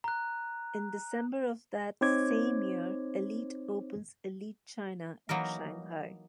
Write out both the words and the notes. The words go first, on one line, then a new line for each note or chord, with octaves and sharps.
In December of that same year, Elite opens Elite China in Shanghai.
A#5 F#6
C4 D#4 C5 C#5 D6 G#6
E3 F#3 A#3 D#4 A#4